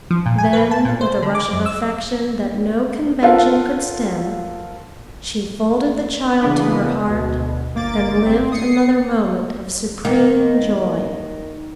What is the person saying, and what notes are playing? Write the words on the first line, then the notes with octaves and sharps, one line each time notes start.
Then with a rush of affection that no convention could stem, she folded the child to her heart and lived another moment of supreme joy.
F3
A#2
G#5
B4
A5
A#2
C5
D3
D6
F#2
E6
F4 A4 A#4 C5 F5 F#5
C#3 E3 A#3 B3 D4 B4
D2 B2
G1 A#3 D6 A6
G#1 C4
D#6 C7 C#7
D#3 A#3